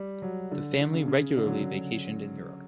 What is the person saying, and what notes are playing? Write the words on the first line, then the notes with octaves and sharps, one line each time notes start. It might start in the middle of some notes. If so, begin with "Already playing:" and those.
The family regularly vacationed in Europe.
Already playing: G3
F#3
D3
D3
C#3
C#3
D3
F#3